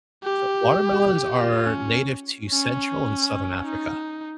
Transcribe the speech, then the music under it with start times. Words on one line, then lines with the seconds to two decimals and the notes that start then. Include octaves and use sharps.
So, watermelons are native to Central and Southern Africa.
0.24 G4
1.37 F4
1.66 C#4
2.51 C#4
3.64 D#4